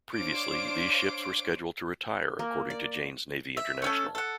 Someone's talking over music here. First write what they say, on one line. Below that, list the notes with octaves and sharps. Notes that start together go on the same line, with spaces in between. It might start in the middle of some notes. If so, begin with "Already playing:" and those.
Previously, these ships were scheduled to retire according to Jane's Navy International.
D4 C5 C#5 F5 D6 D7
A#3
D5
E5
A3 C#4 A4
A4 F#5